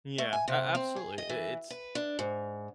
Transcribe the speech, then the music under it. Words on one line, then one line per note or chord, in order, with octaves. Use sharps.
Yeah, a absolutely, i it's,
A3
G#5
C3
C4
G#4
D#5
E3
B4
D4
G#2